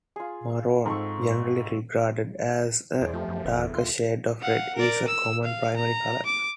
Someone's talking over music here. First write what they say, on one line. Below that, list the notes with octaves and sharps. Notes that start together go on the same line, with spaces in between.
Maroon, generally regarded as a darker shade of red, is a common primary color.
F4 G#4
G#2 C4 A4 C#6
E2 E3 G#3 C4 G#4 C5 D5
F2 F3 A3 B3 G4 A4
F#2
F#1 C#3
E2
D2 F4 C6
F5 F#5
A#4 D5
E6
F5
A#5
D6